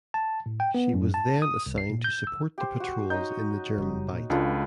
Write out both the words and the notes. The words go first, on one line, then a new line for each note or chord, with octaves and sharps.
She was then assigned to support the patrols in the German Bight.
A5
A2
G5
B3
F#2
A5
D#6
C2
C7
A#2
G6
E6
G4 C5
F#4
D#4 C#5 D#5 G6
F#1 G3
A#2
C#2 G#3 D4 F4 G#4 A4 B4